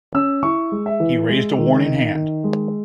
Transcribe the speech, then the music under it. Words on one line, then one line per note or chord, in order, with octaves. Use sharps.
He raised a warning hand.
C#4 E6
E4 C#6
G#3
E5
E3
G#3
D#3
D#4
D#3
G#3